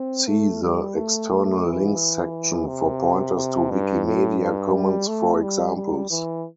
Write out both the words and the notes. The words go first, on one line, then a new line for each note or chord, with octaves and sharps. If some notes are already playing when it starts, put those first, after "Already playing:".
See the "External links" section for pointers to Wikimedia Commons for examples.
Already playing: C4
A3
G3
A3
A3
E3
C3
C3
G2
A2
G2
G3
A3
G3
G3
E3